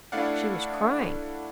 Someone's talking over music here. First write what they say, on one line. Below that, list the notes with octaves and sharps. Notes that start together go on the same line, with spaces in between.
"She was crying!"
A3 D4 E4 D5 F5 F#5